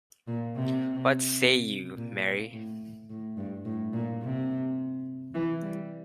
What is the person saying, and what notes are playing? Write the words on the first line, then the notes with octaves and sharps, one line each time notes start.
What say you, Mary?
A#2
C3
A#2
A2
A2
G2
A2
A#2
C3
E3
G3